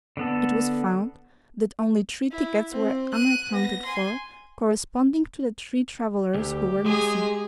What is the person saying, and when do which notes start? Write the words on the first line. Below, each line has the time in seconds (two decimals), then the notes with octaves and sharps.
It was found that only three tickets were unaccounted for, corresponding to the three travellers who were missing.
0.17 D3 B3 A4
2.31 E4
2.71 C4
3.13 F#6 D#7
3.51 B3 A#6
3.85 G#5 C6
6.34 D2 G4
6.86 G#3 G#4